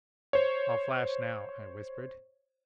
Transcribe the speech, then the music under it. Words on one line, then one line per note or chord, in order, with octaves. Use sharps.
"I'll flash now," I whispered.
C5 C#5